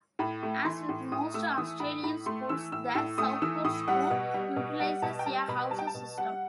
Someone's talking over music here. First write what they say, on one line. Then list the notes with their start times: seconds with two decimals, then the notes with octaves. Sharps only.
As with most Australian schools, The Southport School utilises a house system.
0.19 A2 B5
0.43 A3
0.65 E3 C6
0.89 A2
1.12 A2 D#6
1.34 A3 E6
1.57 E3 D#6
1.80 A2 B5
2.03 A2 B5
2.26 A3 C6
2.49 E3 E6
2.72 A2 E6
2.95 A2 E6
3.18 A3 D#6
3.42 E3 E6
3.64 A2 D#6
3.88 G3 F#5
4.11 B2
4.34 G3
4.56 B2
4.79 G3 F#5
5.02 B2 A5
5.19 G5
5.26 G3 A5
5.48 B2 B5
5.71 G3 A5
5.79 G5
5.87 A5
5.95 B2
6.18 G3 F#5